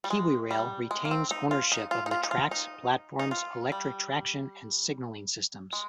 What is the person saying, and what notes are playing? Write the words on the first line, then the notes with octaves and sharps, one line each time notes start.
KiwiRail retains ownership of the tracks, platforms, electric traction and signalling systems.
G3
G#3
G3
G#3
A#3
C4
D#4
F4
D#4
F4
D#4
F4
D#4
F4
D#4
D#4
F4
G3
G#3